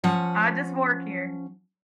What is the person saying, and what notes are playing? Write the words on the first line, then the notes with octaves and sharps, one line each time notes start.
I just work here.
F3 C#4 F#5